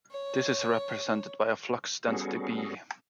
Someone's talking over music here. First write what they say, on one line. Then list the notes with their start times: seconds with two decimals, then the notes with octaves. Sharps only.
This is represented by a flux density B.
0.12 C#5
2.08 G3 B3 C#4 F#4 G#4 A4